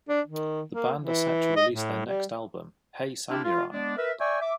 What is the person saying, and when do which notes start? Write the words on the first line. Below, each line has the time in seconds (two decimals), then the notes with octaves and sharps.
The band are set to release their next album, Hey Samurai!
0.09 D4
0.27 D#3
0.72 A#3
1.01 E3
1.56 D#5
1.71 A2
2.06 G3
3.29 C4 D4 E4 F4 G4
3.44 F4
3.71 G#3 B3 D4
3.97 A#4 B4 E5
4.20 D5 E5 G5 G#5 C#6
4.41 E5 D6